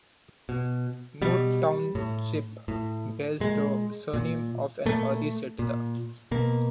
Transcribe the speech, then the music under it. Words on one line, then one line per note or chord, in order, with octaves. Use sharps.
Moore Township bears the surname of an early settler.
B2
B2 G3
A2
A2
A#2 G#3
A#2
A#2 A3
A#2
B2 A#3